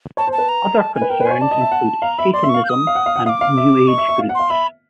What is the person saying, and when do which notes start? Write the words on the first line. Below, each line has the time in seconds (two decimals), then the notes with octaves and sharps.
Other concerns included Satanism and New Age groups.
0.17 C#5 A5
0.27 C5
0.32 A5
0.38 B4
0.49 A#5
0.78 A5
0.95 G#5
1.02 B4
1.09 A#4 G5
1.20 B4
1.25 C5 G#5
1.31 C#5
1.41 D5 A5
1.51 D#5
1.61 E5
1.72 F#5
2.02 F5 A#5
2.18 E5 B5
2.33 D5 C6
2.43 E5
2.49 C#6
2.54 F5
2.65 G6
2.69 D#6
2.87 F5
2.95 F#5
3.06 F5
3.16 F#5
3.26 F5 D#6
3.29 D6
3.41 F5
3.57 E5
3.87 D#5 C#6
3.98 E5
4.09 E5
4.19 F5
4.29 F#5
4.35 F5 C6
4.50 E5 B5